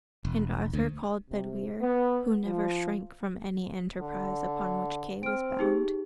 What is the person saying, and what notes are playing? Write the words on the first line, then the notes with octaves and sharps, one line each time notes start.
And Arthur called Bedwyr, who never shrank from any enterprise upon which Kay was bound.
E1
D2
C3
B3
F3
D3
C4 F6 D7
D#4 G4 G#4